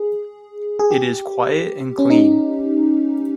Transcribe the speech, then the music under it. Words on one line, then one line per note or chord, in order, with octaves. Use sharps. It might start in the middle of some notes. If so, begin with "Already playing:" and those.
It is quiet and clean.
Already playing: G#4
G#4
G4
C#4
D#4